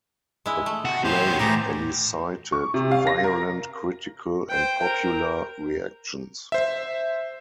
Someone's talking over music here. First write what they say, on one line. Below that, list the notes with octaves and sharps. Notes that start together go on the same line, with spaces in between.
The play elicited violent critical and popular reactions.
G#3 E4
A3
F#4
C#4 G4 C5
A2 E3 B3 G4 A#5
C#6
C3
F5
A#6
A#4
C5 G5
A#4
C5 E5